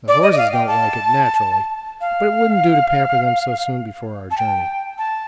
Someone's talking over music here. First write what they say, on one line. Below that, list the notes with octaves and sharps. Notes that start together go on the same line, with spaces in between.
The horses don't like it, naturally, but it wouldn't do to pamper them so soon before our journey.
D5
D#5
D#5
F5
G5
A5
F5
A5
G5
A5